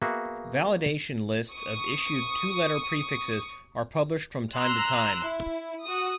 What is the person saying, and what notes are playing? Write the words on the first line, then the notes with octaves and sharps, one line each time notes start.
Validation lists of issued two-letter prefixes are published from time to time.
A#3 B3 F#4 G#4 E5
C#6 D#6
A#5 C6 E6 F#6
E4
F#4 D#6